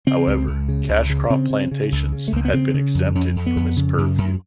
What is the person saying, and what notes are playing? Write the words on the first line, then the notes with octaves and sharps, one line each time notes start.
However, cash crop plantations had been exempted from its purview.
C#3 C4
C#2
C#2
C#3
C#2
C#3
C#3 C4
C#3
C#3
C#2
C#3
A3
C#2 A#3
B3
C#3 C4
C#3
F2
F2 C#4
F2
B3
F2
C#3
F#2
F#2